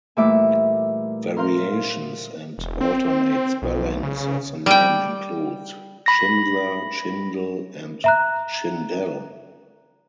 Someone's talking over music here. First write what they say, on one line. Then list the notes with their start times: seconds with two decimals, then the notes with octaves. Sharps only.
Variations and alternate spellings of the name include: Shindler, Schindel, and Schindelle.
0.17 A#2 E3 G3 A3 E5 D6
1.37 A#4 C5 F5 C6
2.58 E1
2.81 C4
3.13 C4
3.62 B1
4.03 C#3
4.66 G3 G5
6.06 B5 A#6
8.04 E5 A#5 F#6